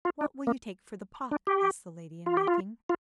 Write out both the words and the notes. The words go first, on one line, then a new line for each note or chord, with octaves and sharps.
'What will you take for the pot?' asked the lady-in-waiting.
F4
D4
A#3
D4
G4
F4
G4
F4
F4